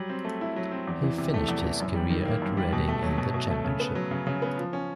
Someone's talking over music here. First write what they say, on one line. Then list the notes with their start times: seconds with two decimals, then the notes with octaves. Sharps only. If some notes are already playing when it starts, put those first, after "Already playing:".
He finished his career at Reading in the Championship.
Already playing: F#3 G3
0.09 C4
0.25 A3
0.41 E4
0.56 F#3
0.71 C4
0.88 E2
1.03 E3
1.18 C3
1.34 A3
1.48 E2
1.64 E3
1.80 F#2
1.94 G3
2.10 D#3
2.26 A#3
2.42 F#2
2.57 G3
2.73 B2
2.88 A3
3.03 F#3
3.18 B2
3.34 B2
3.50 A3
3.65 C#3
3.80 B3
3.95 F#3
4.11 C#3
4.27 C#3
4.42 B3
4.58 F3
4.73 C#4